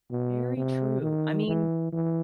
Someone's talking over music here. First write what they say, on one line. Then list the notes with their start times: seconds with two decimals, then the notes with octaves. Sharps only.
Very true. I mean
0.11 B2
0.57 C3
1.02 D#3
1.47 E3
1.92 E3